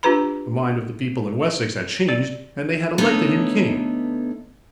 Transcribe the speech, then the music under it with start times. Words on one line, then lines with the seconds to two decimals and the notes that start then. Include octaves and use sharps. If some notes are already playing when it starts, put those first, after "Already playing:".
The mind of the people in Wessex had changed and they had elected him king.
0.03 D4 F4 G4 B4 A#5 B5
2.09 D5
2.98 D3 A3 B3 D#4 B4 C#5